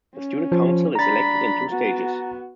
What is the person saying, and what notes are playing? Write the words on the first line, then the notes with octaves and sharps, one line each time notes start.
The Student Council is elected in two stages.
C#4
F3
D4 A#5 B5 A6
B3 F#4